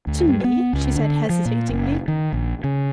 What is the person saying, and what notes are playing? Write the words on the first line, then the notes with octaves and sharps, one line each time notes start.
"To me?" she said, hesitatingly.
D2
G2
B3
C#2
D3
F3
A#2
F#1
D#3
A#1
C#3